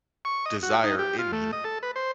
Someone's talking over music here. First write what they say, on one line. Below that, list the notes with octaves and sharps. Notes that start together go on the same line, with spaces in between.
desire in me
C#6
D#5
F#4
D#4
G4
F4
A3
D#5
A4
B4
C5